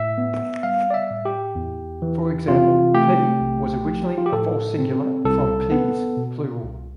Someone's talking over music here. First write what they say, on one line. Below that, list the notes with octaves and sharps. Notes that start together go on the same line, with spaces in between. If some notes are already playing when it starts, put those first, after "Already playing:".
For example, "pea" was originally a false singular from "pease" pl.
Already playing: A2 E5
B3
G3 F5
D5
E5
A2
G4
E2
E3
C3 F4
A3 G4
B1
F3
F4
G4
A2 A4
C4
C2 A4
B3
B2
C2